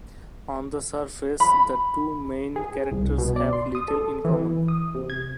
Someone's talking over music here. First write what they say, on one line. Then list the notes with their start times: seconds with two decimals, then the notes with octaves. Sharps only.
On the surface, the two main characters have little in common.
1.40 B5
2.56 G#4
2.91 C2
3.18 B2
3.36 D5
3.53 C6
3.75 D#6
3.88 A4
4.25 E3
4.68 D#6
4.95 C3
5.10 G#6